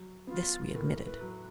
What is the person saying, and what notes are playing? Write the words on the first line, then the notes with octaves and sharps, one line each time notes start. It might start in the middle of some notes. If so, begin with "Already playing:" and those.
This we admitted.
Already playing: F#3
B3 F4
A2 A#4 B4
B4
F#3